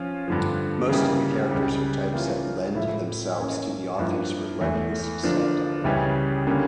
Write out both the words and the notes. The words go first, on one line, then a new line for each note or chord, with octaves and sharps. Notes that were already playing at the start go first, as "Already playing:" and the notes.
Most of the characters are types that lend themselves to the author's relentless satire.
Already playing: F3 C#4 F4
G2 D3 F3
C#3 E3 G3 A#3
C#2 C#3 G3
E3 A#3 C#4 F4
A2 F3 A3 E4
E3 A#3 C#4
G2 F3 A#3 E4
E2 E3 A3
D3 F3 A#3 D4
C#2 C#3 E3 G3 C#4
D3 G3 A#3 C#4